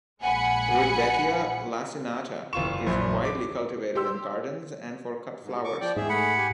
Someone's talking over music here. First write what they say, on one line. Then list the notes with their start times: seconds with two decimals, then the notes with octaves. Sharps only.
"Rudbeckia laciniata" is widely cultivated in gardens and for cut flowers.
0.21 A#1 G#3 F#5 G#5 B5 C#7
2.53 F#1 E2 F4 C#6 E7
2.86 A#1 F#2 F3
3.25 D6
3.95 G4 C6 E6
5.42 G#2
5.64 C#6 D6
5.81 F3 D5 G5
5.96 E2 G#2 G#4 E5
6.09 A3 G#4 F#5 B5
6.38 G4 G#5